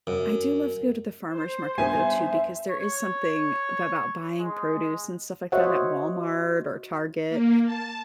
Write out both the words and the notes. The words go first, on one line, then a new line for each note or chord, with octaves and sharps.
I do love to go to the farmer's market though too, because there is something about buying produce and stuff like that at Walmart or Target
F#2
C5
G2 B3 E5 G#5
C#5
G#3
F#4 C5 C#5 D#5 E5 F#5
A#3
A5